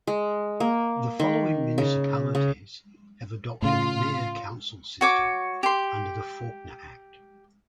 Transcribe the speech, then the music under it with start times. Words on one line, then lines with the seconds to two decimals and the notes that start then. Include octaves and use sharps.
The following municipalities have adopted mayor–council system under the Faulkner Act.
0.07 G#3
0.60 A#3
1.20 D#3
1.78 C#3
2.35 C#3
3.62 A2 C#3 F4
5.01 F#4 C#5 D6
5.63 G4 C6